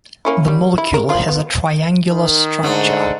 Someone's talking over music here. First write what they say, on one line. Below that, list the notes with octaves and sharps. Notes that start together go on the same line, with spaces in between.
The molecule has a triangular structure.
A#3 C#4 E4
G3
E4
A#4
F3 F4
B3
D#3
G#2 D3 A3